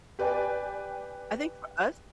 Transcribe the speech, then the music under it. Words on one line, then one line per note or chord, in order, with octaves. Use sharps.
I think for us
G4 B4 D5 G5 G#5